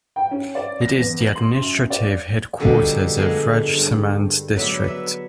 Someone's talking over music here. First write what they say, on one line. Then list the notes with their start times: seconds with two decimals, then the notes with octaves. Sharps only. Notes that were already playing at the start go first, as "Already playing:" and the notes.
It is the administrative headquarters of Rajsamand District.
0.16 G5
0.31 C#4
0.55 D5
0.81 A#6
0.99 E2
1.20 F#7
1.35 C6
1.60 F#2
1.90 D5
2.60 B2 D3 F3 G3 G#3 A#3
3.17 D3 F3 G#3 A#3 B3
3.73 G2
4.56 F#3 B3 B4 D5 E5
4.84 B4 E5